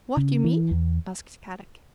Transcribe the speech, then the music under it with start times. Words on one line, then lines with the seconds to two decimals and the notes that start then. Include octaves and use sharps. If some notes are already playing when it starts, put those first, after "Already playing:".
"What you mean?" asked Kadok.
0.17 C#3
0.44 E3
0.71 E2